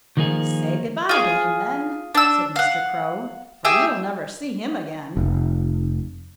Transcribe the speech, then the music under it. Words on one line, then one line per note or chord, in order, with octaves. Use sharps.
"Say good-by to him then," said Mr. Crow, "for you'll never see him again."
D#3 F3 A#3 D#4 G#4
F4 G#4
D4 E6
F5 F#5
G4 G#4 E5
F1